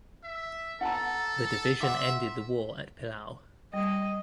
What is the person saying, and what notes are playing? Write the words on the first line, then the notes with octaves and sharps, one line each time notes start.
The division ended the war at Pillau.
E5
A4 F#5 A5 A#5
E5 F#5 C6 D6
G3 D#5